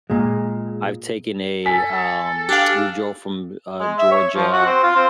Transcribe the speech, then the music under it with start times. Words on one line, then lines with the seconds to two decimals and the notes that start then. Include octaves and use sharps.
I've taken a, um, we drove from, uh, Georgia
0.10 A#2 G#3
1.66 A4 G#5 B6
2.49 D4 G4 F5
3.80 G#3
3.98 E5
4.11 C#5
4.35 F3
4.53 F#4
4.66 C4
4.83 F4
4.96 C4